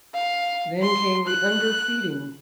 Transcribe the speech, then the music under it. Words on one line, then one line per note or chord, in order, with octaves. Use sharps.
Then came the underfeeding.
F5
C6
F#6